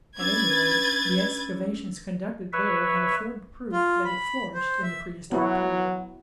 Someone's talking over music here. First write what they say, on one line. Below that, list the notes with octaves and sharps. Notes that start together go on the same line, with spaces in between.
At any rate, the excavations conducted there have afforded proof that it flourished in the prehistoric period.
C#4 D4 B4 E6 G#6 A6
B4 C#5 E5
F4
B5
C5
E5
F#3 B3 E4 F#4